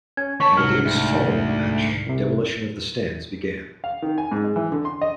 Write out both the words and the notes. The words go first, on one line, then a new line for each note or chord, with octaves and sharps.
In the days following the match, demolition of the stands began.
C#4 G#6
D#2 C#5 A5 C#6 B6
C2 G#2 F#3 F6
D2
C2 C3
F5
D#3
G#5
G#2
G#3
E3
D3
C6
D#5